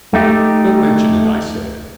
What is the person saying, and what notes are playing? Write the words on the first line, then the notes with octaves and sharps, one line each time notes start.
"Don't mention it," I said.
A3 D#4 G4